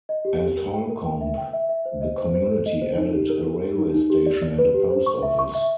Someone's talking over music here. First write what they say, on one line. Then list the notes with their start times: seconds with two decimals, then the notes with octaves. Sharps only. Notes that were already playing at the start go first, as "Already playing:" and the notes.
As Holcomb, the community added a railway station and a post office.
0.09 D#5
0.25 G4
0.42 G4
0.57 A#4
0.73 G5
0.90 A#4
1.06 G5
1.21 E5
1.37 G5
1.53 E5
1.69 E5
1.85 C5
2.01 D#5
2.18 C5
2.34 C5
2.49 A4
2.66 D#5
2.82 C5
2.98 D#4
3.14 G4
3.30 A#4
3.46 A#4
3.62 G4
3.78 D#4
3.94 D#4
4.10 G4
4.26 D5
4.42 D5
4.58 B4
4.74 G4
4.90 C5
5.06 C#6
5.23 E5
5.39 C#6
5.55 E5